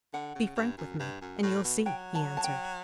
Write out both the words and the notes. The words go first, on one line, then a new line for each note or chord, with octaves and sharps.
"Be frank with me and you'll see," he answered.
D3 F#5
C#3
G2
F#2
G2
F#2
A2
B2
F#3 G5
A5
A5
G5